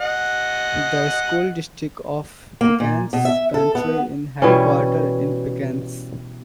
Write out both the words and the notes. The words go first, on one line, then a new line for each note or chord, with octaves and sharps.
The School District of Pickens County is headquartered in Pickens.
D#5 F#5
A#3
A#2
B2
E5
A4
B3
B2 E3 G3 C#4